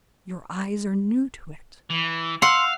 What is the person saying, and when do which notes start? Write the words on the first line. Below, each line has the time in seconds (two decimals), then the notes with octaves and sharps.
Your eyes are new to it.
1.90 E3
2.42 F5 F#5 C6 E6